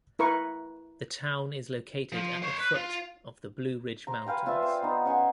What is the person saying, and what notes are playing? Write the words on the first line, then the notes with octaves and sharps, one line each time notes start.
The town is located at the foot of the Blue Ridge Mountains.
E4 A#4 B4 C#6
F3
C5 C#5
B4
F4
C5 A#5
B4 F5 G5 G#5
C4 F4 D5 E5
C5 F5
B3 D#4
C#4 F#5 G#5 C6